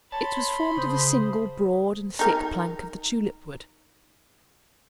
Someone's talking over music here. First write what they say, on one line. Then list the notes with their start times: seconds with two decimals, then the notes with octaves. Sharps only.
It was formed of a single, broad and thick plank of the tulip wood.
0.12 C#5 A5 B5 C6
0.77 C#3 C5 D#6
2.19 D#4 A#4